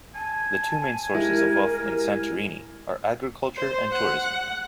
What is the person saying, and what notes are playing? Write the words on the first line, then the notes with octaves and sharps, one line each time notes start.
The two main sources of wealth in Santorini are agriculture and tourism.
G#5 A5
G#3 E4 G4 A#4
C5
F#5